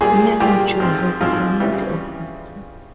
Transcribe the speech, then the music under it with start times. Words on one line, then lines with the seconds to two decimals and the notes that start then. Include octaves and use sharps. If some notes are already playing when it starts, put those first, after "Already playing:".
Neo Geo has a community of collectors.
0.01 G3 A#3 F4 G#4
0.40 G3 A#3 F4 G4
0.80 G#2 F3 C4
1.21 G#2 F3 C4 F4
1.60 C#3 E3 G3